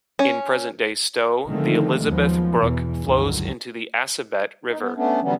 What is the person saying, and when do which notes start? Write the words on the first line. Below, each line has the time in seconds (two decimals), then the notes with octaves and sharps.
In present-day Stow, the Elizabeth Brook flows into the Assabet River.
0.19 C#4
1.47 D3 D#3 F3 G#3 A3 C4
2.04 D#2 F3 F#3 G#3 B3
2.55 E2 B2 E3
3.03 F#1 C#2 G2 D3 D#3 F#3
4.68 D#4
4.80 B3
4.96 A3 B3 C#4 D4
5.22 D3 E3 F#3 G3 B3 C#4